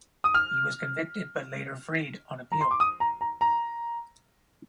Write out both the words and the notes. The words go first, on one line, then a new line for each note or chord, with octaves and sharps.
He was convicted but later freed on appeal.
D#6
F6
A#5
C6
D6
D#6
A#5
A#5
A#5